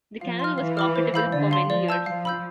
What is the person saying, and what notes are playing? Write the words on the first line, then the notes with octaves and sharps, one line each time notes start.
The canal was profitable for many years.
F3 F5
C6 F6
E3 F5
B5 D6 F6
C5
F5 B5 E6 G6
D3 D5
F5 C6
F3 D5
A5 E6 G6
F3 F5
B5 E6 G6